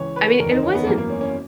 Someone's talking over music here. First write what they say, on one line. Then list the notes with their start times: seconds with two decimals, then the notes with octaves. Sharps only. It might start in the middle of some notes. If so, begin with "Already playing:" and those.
I mean, it wasn't
Already playing: C#2 C#3 E3 C#5
0.16 B4
0.40 F#1 E2 D#3 A#4
0.51 D#4
0.63 C#4
0.75 B3
0.86 G#1 F#2 E3 A#3
0.98 A#3
1.10 C#4
1.21 C#4